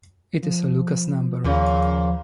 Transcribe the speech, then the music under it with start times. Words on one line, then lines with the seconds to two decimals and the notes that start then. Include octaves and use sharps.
It is a Lucas number.
0.43 F3
1.44 D#2 A#2 C#3